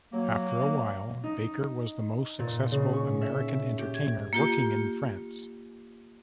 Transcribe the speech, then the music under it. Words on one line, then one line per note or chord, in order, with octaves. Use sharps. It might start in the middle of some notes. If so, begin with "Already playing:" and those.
After a while, Baker was the most successful American entertainer working in France.
F#3 A#3
D#4
A#2
C#3
C#6
E5
G4
G#6
A#3 F4 G4